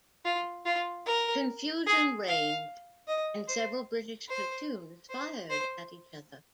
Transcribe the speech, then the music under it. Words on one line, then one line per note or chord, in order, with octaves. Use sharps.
Confusion reigned, and several British platoons fired at each other.
F4
F4
A#4
G#4
F5
D#5
C5
C5
C5
C5